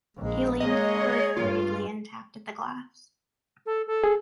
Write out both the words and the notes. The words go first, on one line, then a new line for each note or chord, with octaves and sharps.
He leaned forward hurriedly and tapped at the glass.
A#1 G#3
G#3 A#3 G#4 C#5 D#5
G2 F4
A4
A4
G#4